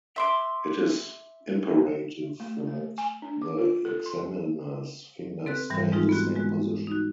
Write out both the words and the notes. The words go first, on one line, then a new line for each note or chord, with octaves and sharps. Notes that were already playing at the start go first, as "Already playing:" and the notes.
It is imperative that the examiner's fingers stay in the same position.
E5 C6 D6
A3
A3
G#5
D4
D6
F4
A4
C6
C4 A4 B4 F#6
G#2 E3 G3 A#6
G#3 C4 D#4 F4 G#4 A4
B3 C4 F#4
G#3 F#4
D#4 F#4